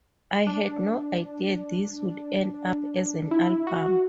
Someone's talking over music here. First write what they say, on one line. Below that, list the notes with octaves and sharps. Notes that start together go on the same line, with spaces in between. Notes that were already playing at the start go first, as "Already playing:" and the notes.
I had no idea this would end up as an album.
D4
E4
F#4